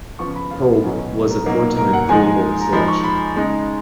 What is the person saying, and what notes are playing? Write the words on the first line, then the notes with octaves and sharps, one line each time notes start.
Paup was a four-time Pro Bowl selection.
C#3 F3 B3 F4 C#6
B5
F5
B2 F#3 C#4
A#4
B2 F#3 A#3 D#4
A#4
F#5
F3 G#3 D#4 G#5
A#5
F3 G#3 D#4 B5
C#6
B5
C#3 G#3 D#4